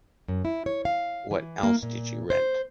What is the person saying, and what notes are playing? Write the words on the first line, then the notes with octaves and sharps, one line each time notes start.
What else did you rent?
F#2
E4
C#5
F5
E3
A#3
A#2
C5